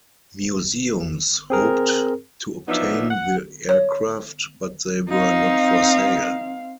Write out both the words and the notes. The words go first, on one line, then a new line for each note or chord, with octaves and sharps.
Museums hoped to obtain the aircraft, but they were not for sale.
C4 G#4 A#4
F3 F#3 B3 D4 D#4 E5
F#5
C#5
C4 D#4 F5